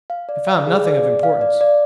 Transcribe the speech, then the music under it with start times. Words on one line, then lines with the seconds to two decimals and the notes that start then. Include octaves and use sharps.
They found nothing of importance.
0.10 F5
0.29 D5
0.47 F5
0.67 G#4
0.85 D5
1.04 D5
1.23 F5
1.41 D5
1.61 D5